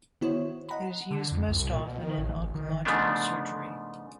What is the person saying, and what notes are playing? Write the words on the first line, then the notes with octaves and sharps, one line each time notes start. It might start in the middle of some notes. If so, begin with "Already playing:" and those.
It is used most often in oncological surgery.
D#3 B3 E4 F#4 C5 C#5
D#5 F#5 A#5 B5
D3
F2
C2
A#2
B2
D#3
A1
G#1
D#3
G#2 C#3 F3 A3 B3 D4